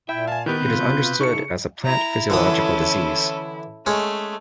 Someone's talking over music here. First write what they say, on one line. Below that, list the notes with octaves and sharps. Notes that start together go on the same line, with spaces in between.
It is understood as a plant physiological disease.
A#2 E4 E5 G5
F5 G#5 A5
D#3 B3 E4 G4 A#4 B4 G6
C3 C4 F4
B2
C#3 D#4 E4 A4 C#6 C#7
E4 A#5
D3 E3 C#4 A4 D#6
G#3 A3 C#4